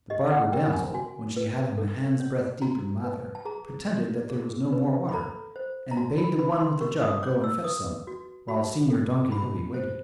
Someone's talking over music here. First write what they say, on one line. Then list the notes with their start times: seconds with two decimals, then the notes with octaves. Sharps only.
The barber damsel, when she had him a hand's breadth deep in lather, pretended that there was no more water, and bade the one with the jug go and fetch some, while Senor Don Quixote waited.
0.10 G4 D#5
0.31 F#5
0.52 A#4 G5
0.73 G#5
0.94 F#4 G#5
1.36 B4
1.78 A4
2.20 C#5
2.62 F#4 A#5
3.04 B4
3.35 A5
3.45 G#4 A#5
3.87 C#5
4.30 G#4
4.72 B4
5.09 B5
5.13 A4 A#5
5.56 C5
5.91 A#5
5.97 F#4 A5
6.18 B5
6.39 B4 B5
6.60 C6
6.81 A#4 C#6
7.02 D#6
7.23 C#5 D6
7.44 E6
7.64 B4 D#6
8.07 F#4
8.48 F#4 B5
8.90 A4
9.32 G4 B5
9.74 C5